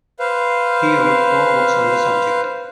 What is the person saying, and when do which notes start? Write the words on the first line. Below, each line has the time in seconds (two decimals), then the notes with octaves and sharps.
He wrote four books on the subject.
0.19 B4 C5 F5